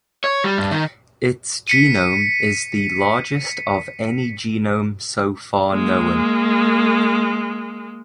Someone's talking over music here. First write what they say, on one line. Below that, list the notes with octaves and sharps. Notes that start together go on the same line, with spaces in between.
Its genome is the largest of any genome so far known.
C#5
G3
G2
D#3
B6 C#7 D#7
G#3 A#3